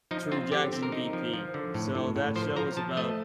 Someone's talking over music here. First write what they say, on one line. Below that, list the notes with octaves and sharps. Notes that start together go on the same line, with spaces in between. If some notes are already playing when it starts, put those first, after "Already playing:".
True Jackson, VP, so that show is about
F3 D#4
C4 F4
D3 G4
C4
A#4
D#4
F3
F3
D3
A2
A2
A2
F3 C5
F3 A#5
F3 A5
A3 D#5